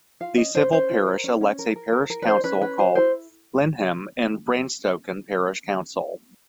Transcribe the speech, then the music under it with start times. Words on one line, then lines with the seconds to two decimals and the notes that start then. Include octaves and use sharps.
The civil parish elects a parish council called Lyneham and Bradenstoke Parish Council.
0.20 F4 F5
0.37 C#4 D#5
0.54 C#4 C5
0.72 C#4 C5
0.89 F4
1.06 A#4
1.24 C#4
1.41 C#4
1.59 A#4
1.76 A#4
1.92 A#4
2.10 A#4
2.22 B4
2.27 C#4 C5
2.44 C#4 B4
2.61 C#4 B4
2.78 F#4 C5
2.95 E4 C5